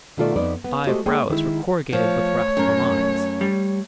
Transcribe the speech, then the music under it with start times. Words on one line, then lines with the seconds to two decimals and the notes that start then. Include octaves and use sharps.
Five brows were corrugated with wrathful lines.
0.17 B2 D#3 A3 F4 A4 D5
0.36 F2 B3 D#4 B4 D5
0.64 B3
0.86 G#3 A3 F#4 G4 C5 D#5
1.06 G#3 A#3 G#4 C#5 G5
1.29 D#3 G#3 E4
1.93 F3 A3 C#5
2.57 F#2 A#4
3.41 G3